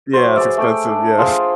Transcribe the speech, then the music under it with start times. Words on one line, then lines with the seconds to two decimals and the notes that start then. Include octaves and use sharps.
Yeah, it's expensive. Yeah.
0.13 F#3 C5
0.36 G#4 B4 D5 E5
0.57 A3 G#4 D5 G5
0.88 D4
1.18 F4 G#4 C5 G5